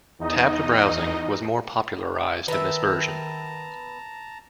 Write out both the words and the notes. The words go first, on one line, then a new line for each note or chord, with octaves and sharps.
Tabbed browsing was more popularised in this version.
E2 D#4 D#5
D#3 B3 E5 A5 A#5